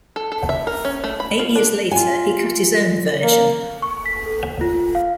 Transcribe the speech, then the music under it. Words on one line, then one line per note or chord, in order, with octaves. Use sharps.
Eight years later, he cut his own version.
A4
A4
E5
A#4
C#4
A3
B5
F4
D4
F4 G#5
A#3
C#6
B6
A4
F4
F5